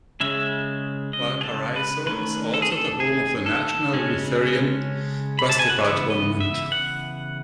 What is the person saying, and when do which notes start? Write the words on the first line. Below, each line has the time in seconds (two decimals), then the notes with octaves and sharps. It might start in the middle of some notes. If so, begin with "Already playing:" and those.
Valparaiso is also the home of the National Lutheran Basketball Tournament.
0.20 C#3 G#3 C#4 E5
1.13 D#5
1.41 G#4
1.44 A4
1.76 B4
2.06 D#3 A3 C#4 B4
2.54 A4
2.62 G#4
2.72 A4
3.00 G#4
3.46 A4
3.93 C#3 G#3 C#4
5.39 B5
5.49 A5
5.59 G#5
5.69 F#5
5.79 C#3 E3 B3 E5
6.10 D#5
6.40 E5
6.72 F#5